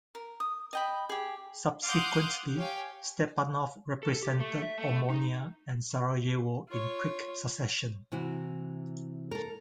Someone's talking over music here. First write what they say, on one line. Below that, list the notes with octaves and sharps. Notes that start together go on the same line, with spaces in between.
Subsequently, Stepanov represented Omonia and Sarajevo in quick succession.
A#4
D#6
D#5 G5 B5
G4 G#4
F5 F#5 C6 D6 D#6 G6
G4 C#5 F5 G5 G#5
A4
G4
A3
E5
A3
D#4
F4 C#5
C3 E3 E4 F#4
A4 A#4